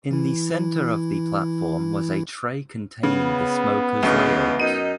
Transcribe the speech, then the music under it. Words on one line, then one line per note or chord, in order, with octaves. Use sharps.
In the center of the platform was a tray containing the smoker's layout.
E3 E4
C#3 B3
D2 C#3 E3 G#3
F#2 D#4 D#7